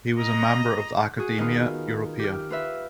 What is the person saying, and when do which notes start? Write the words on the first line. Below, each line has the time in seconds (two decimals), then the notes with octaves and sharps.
He was a member of the Academia Europaea.
0.18 D#5 A#5
1.18 F#4 G#4
1.38 D#3 B3 D#4 F4
2.19 G4 F6
2.50 F4 B4 E5